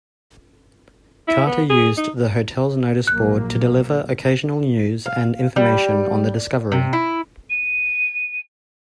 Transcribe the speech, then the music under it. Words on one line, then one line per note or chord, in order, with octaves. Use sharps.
Carter used the hotel's noticeboard to deliver occasional news and information on the discovery.
E4
B3
G#4
D#4
A#1 F#3 A#3 F#6
F5
G3
C3
E4
D#7